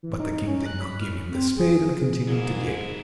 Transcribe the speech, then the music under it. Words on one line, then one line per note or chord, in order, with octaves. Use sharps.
But the King did not give him the spade, and continued to dig.
E3
D#4
D#4
C#4
F#6
B5
F6
C4
G#4
G#2 F#3 A#3 E4 G#4